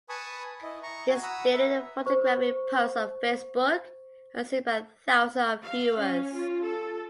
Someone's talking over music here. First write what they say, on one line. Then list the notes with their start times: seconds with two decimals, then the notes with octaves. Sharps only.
His daily photographic posts on Facebook are seen by thousands of viewers.
0.09 B4 G#5 A5 B5 C#6 D#6
0.63 E4 D#5
0.83 A#5 C#6
1.08 F#4 G#5
1.23 F#5 A#5 B5 D#6 E6
1.53 B4 E5
2.06 C5 C#6
5.64 F5
5.99 C#4
6.34 F4
6.64 A4